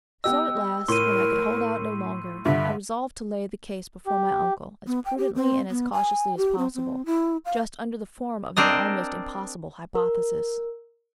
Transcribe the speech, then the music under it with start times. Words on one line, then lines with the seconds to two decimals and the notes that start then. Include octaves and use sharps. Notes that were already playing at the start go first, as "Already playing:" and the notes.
So, at last, when I could hold out no longer, I resolved to lay the case before my uncle, as prudently and as cautiously as possible, just under the form of an almost impossible hypothesis.
0.24 B3 G4 D#5 E6
0.88 A2 A#4 C6 D#7
2.45 G2 D3 E5
4.07 G4
4.87 B3
5.05 G5
5.18 G4
5.35 C4
5.70 B3
5.93 G#5
6.37 G4
6.58 C4
6.75 C4
7.06 E4
7.45 F5
8.56 C4 D4 A#4 D#5
9.95 A#4